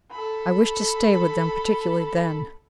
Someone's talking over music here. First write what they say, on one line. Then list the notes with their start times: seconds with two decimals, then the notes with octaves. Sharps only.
I wish to stay with them particularly then.
0.11 A4 B5